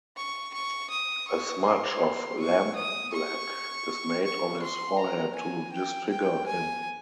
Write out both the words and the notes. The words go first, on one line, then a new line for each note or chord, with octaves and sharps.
A smudge of lampblack is made on his forehead to disfigure him.
C#6
C#6
D#6
C#6
C6
C#6
D#6
C#6
C#6
C6
A#5
G#5
G5
G5
G#5